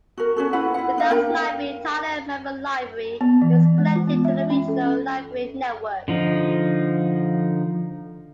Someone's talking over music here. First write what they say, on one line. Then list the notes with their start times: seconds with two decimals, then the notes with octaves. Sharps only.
The town's library, Tyler Memorial Library, is connected to the regional library network.
0.18 F#4 A#4
0.36 C#4 F#4 A4
0.53 E4 F4 B4 F#5
0.74 E4 F#5
0.98 D4 F5
1.10 D4 A#4 G5
3.21 B3
3.42 E3
3.78 G#3
3.96 F4
4.07 B3
4.25 E5
4.50 C#4
4.68 A4
6.08 D3 F3 D#4